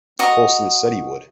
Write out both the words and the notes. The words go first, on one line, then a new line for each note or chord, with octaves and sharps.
Colsten said he would.
F#4 D#5 A#5